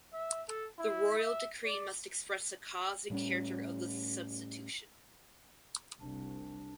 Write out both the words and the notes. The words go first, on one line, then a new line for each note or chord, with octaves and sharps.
The Royal Decree must express the cause and character of the substitution.
E5
A4
E4
E5
D5
A2 G3 C4 C#4
F1 C2 D4